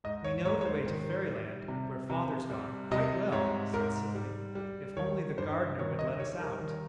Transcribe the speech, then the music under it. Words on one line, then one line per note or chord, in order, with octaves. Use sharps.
"We know the way to Fairyland--where Father's gone--quite well," said Sylvie: "if only the Gardener would let us out."
G#2 D#5
C#5
G#2 C#5
C#5
C5
D#3
G3
C3
C3
G3
C3 D#5
G#2 C#5
G#2 A#4
G3
G3
D#3 C#5
G2 C5
D#3 C#5
D#5
G3 C#5
A#4
D#3